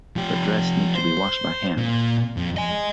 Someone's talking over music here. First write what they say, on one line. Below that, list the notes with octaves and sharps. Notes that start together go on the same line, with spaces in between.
The dress needs to be washed by hand.
F3 G4
C5
A#2
F2
D#5 G#5